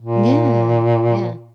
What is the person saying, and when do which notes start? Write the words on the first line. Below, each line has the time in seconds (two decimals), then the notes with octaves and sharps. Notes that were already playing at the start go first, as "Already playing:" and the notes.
Yeah, yeah.
0.01 A#2